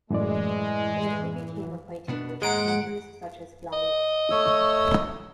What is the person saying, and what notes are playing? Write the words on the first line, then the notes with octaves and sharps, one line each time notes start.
There he became acquainted with painters such as Vlaminck.
F#2 A2 E3 G#3 D5
B2 B3 D4
D#2 G#2 G#3 F#5 A#5 D7
D#5
A3 C#5 E6